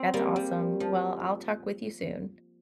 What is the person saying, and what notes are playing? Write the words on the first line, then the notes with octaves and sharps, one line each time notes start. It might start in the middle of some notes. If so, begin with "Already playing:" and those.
That's awesome. Well, I'll talk with you soon.
Already playing: C4
G3 A#3
G3
F3